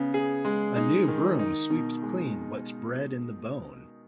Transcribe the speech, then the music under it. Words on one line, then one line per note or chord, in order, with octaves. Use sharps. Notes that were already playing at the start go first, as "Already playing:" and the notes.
A new broom sweeps clean what's bred in the bone.
Already playing: C#3 B3
G#4
G#3
D#4
D#3
D#4
B2
G#3